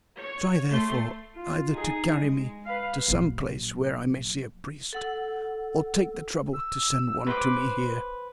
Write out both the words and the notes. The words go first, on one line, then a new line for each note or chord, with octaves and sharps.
Try, therefore, either to carry me to some place where I may see a priest or take the trouble to send one to me here.
C#5
A3 C6
F4
D#4 G#4
G#3
B4 F5
A#1 F#3
A4 F#5 E6
E6
B4 C5 D6